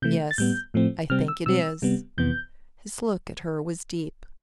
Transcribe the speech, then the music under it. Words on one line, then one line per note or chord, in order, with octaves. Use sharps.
"Yes, I think it is," his look at her was deep.
C3 E3 A3 G6
A6
A2 G3 B3 G6
A2 F3 A3 C4
C3 G3 C4 F6
E6
B2 G3 C4 E6
C3 G3 B3
F2 C3 E3 B3 G6